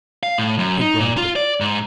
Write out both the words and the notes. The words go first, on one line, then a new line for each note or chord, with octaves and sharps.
He grunted.
F5
A2
F#2
D#4
A#2
F4
D5
G#2